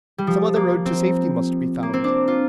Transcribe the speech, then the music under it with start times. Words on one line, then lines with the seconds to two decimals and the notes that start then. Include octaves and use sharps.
Some other road to safety must be found!
0.18 G3
0.27 F3
0.56 A#3
0.85 C4
1.83 A#3
1.93 C4
2.04 D4
2.28 F4